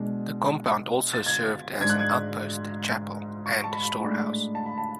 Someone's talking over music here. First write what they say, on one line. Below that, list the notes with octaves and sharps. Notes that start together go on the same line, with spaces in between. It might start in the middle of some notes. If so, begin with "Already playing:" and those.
The compound also served as an outpost, chapel, and storehouse.
Already playing: B2 G#3 D4
A6
G#6
G#2 G#3 D4 G#6
F#6
G#6
C#6
A5
B5
A2 G#3 D4
A5
B5
A5